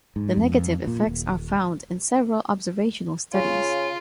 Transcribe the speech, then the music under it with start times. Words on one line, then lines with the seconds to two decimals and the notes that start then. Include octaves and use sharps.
The negative effects are found in several observational studies.
0.16 G#2
0.37 F2
0.87 A#2
1.07 D#1
3.34 C#3 F4